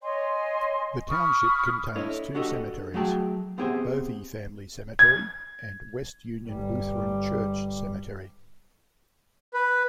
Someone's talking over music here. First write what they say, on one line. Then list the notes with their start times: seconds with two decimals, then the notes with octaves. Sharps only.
The township contains two cemeteries: Bovy Family Cemetery and West Union Lutheran Church Cemetery.
0.02 C#5 D#5 G#5 C6
1.09 B5 C#6 D#6 F6
1.96 D4 E4 A4 C#5 D#5
2.35 D4 F#4 G4 A4 D#5
2.94 F#3 A3 G#4 G5 A5
3.58 B3 C4 G4 G#4 C5 E5
4.99 G#6
6.46 G1 G3
9.54 B4